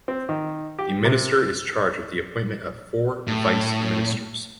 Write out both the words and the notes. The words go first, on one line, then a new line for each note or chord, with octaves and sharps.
The minister is charged with the appointment of four vice ministers.
C4
D#3
G4
C3
A2